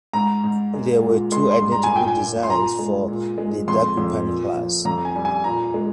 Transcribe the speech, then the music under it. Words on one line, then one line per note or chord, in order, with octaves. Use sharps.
There were two identical designs for the Dagupan class.
G#2 A#5
G#2
G#3
A#2
G#3 C6
C6
G2
A#5
G#5
A#2
G5
G#5
A#2
C6
A#2 A#5
G#3
A#2
G#3
F2 C6
F2
A#2
F3
F2 A#5
G#5
G3
G#5
A#2 A#5
G#3